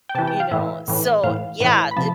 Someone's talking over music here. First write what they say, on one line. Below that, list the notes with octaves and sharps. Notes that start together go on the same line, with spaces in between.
you know. So, yeah, it
G5
C3 E3 A5
G5
F5
A2 E3 E5
A2 E3
A2 E3 F5
A2 E3
B5
C3 F3 A5